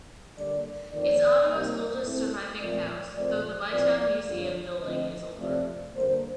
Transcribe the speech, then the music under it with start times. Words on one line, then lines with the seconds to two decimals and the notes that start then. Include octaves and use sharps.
It is Ottawa's oldest surviving house, though the Bytown Museum building is older.
0.35 D3 G3 A#3 D5
0.91 F2 D#3 A#3 D5
1.46 C3 G3 A#3
2.03 A2 A3 C4
2.58 A#2 F3 A3 C4 D5
3.14 A#2 F3 A3 C4 D5
3.70 A2 F3 C4 D5
4.26 F2 D3 F3
4.82 D3 F3 A3 C4 D#5
5.38 F2 C3 F3 A3 C4 D5
5.94 D3 G3 A#3 C5